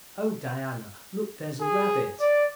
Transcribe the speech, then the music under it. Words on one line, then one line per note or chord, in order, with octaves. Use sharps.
Oh, Diana, look, there's a rabbit.
G#4
D5